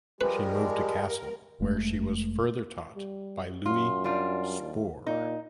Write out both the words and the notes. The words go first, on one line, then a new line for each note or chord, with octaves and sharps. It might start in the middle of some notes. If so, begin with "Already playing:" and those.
She moved to Kassel where she was further taught by Louis Spohr.
F3 G3 G#3 G4 A#4 B4
F1 G#3 A3
G3
F#2 F4
G3 D4 F4
D#2
A#2 D#4